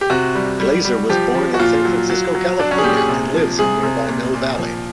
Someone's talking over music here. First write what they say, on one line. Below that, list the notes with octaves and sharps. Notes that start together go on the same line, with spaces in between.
Glaser was born in San Francisco, California and lives in nearby Mill Valley.
G4
C3 F#4
G3
G3
G3
F3 G4
F3
F#4
A#2 F4
F#3
F#3
F#3
F#3 D4
C#4
G#4
A#2 G4
G#4
C3
F3
C3 G#4
C3
A#2
A#2
F3